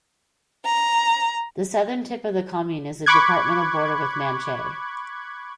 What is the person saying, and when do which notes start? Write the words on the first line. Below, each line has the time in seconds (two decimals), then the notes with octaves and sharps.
The southern tip of the commune is the departmental border with Manche.
0.65 A#5
3.06 B5 C#6 D6 F#6 G#6